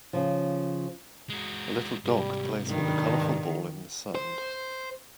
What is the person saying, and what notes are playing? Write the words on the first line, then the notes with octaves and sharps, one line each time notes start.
A little dog plays with a colorful ball in the sand.
C#3 F3
G#3 F#4
G#2 C3 G3
G2 D#3
C5